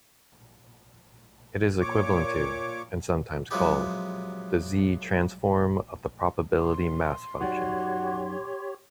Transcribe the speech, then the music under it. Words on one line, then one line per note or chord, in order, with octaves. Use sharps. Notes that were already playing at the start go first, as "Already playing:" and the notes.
It is equivalent to, and sometimes called, the z-transform of the probability mass function.
A#2 C#5 D6
C3 F3 F#3 G#3 B3 G4
C6
F#2 D#4 F#4 G4 C#5 D5